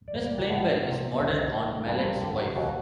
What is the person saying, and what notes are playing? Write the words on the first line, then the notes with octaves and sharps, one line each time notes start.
Miss Plainwell is modeled on Mallett's wife.
D5
G3 C5
D5
A#3 G5
A2 F#5
D4
C3
F#3
C2 D#5
C4
D#3
A3
G2 D5
C4 A#4
D3 G4
F#3
D#2 F#4